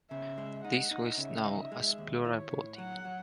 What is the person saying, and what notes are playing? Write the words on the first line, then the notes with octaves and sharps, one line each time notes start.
This was known as plural voting.
C#3 E5
G#3
D#4 F#5
D#4
C#3 E5
D#4
G#3
D#2
E4 C#5
A2
F#3 F#5
F#3